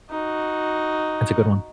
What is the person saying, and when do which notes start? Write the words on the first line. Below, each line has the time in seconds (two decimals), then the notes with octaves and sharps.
That's a good one.
0.11 D#4 F#4